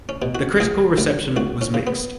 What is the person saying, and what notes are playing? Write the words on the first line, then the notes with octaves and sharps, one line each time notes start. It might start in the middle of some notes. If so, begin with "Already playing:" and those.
The critical reception was mixed.
C#4
B2
F#4
C#2 G#4
C#2
C#2 F#4
C#4
C#3
B3